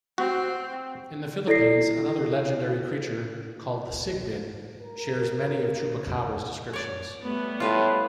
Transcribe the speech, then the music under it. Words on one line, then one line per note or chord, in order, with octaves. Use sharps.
In the Philippines, another legendary creature called the Sigbin shares many of chupacabra's descriptions.
C4 F#4
E4 A4 D5 A#6 C7
A#4
C#5 D5
G3 A3 B3
A2 F4 B4